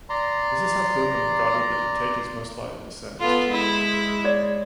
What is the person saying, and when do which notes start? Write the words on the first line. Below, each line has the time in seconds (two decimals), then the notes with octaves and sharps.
This is how Drumann regarded the dictator's most likely descent.
0.10 D5 A#5 C6
3.20 B3 F4 A4
3.51 G#3 E4
4.24 C#5 D5